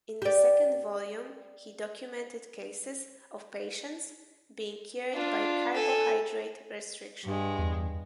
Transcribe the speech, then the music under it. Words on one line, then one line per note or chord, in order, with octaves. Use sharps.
In the second volume he documented cases of patients being cured by carbohydrate restriction.
G4 D5
D4 F4
A4 G#5
G2 G#3
E2